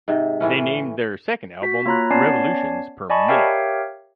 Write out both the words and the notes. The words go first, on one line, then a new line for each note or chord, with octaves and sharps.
They named their second album "Revolutions Per Minute".
G#2 C3
A2 E3 C#4
F#4 B6
A#3 F4 C#5 A#5 B5 F#6
B3 C#4 C#5 D5 A5 C7
D5 D#5 G#5 A5 B5 C#6
G4 A#4 C#5 E5 F5 G5